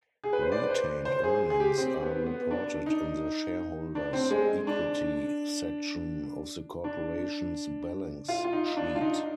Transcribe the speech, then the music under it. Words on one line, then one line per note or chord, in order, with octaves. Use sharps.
Retained earnings are reported in the shareholders' equity section of the corporation's balance sheet.
G#4
B4
C5
D5
B4
C5
C5
G#4
G#4
G4
C4
B3
B3
D4
D#4
D4
C4
G#3
D4
D4
F4
F4
D#4
D4
F4
D#4